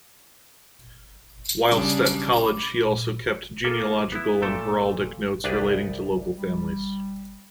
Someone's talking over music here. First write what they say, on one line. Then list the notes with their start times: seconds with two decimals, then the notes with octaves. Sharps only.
Whilst at college, he also kept genealogical and heraldic notes relating to local families.
1.69 C#3 G3 D4
2.43 B5 D6
2.83 A#2
3.64 A#3 F4 G#4 A4
4.12 B3 E4
4.42 A#2 A3 A4 G5 A5
5.44 C2 D4 G4 G#4 B4 D5
6.34 G3